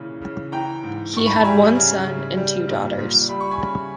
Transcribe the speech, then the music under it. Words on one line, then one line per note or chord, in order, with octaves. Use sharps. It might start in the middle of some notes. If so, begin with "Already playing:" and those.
He had one son and two daughters.
Already playing: A#2 C#3 E3
C#3
E3 G5 A#5
G#2
G#2 C#6
B5
A#5
G3 E5 G#5
C#3
C#3
G3
A#2
A#2
G3 B5
C#6
G#5 B5
C#3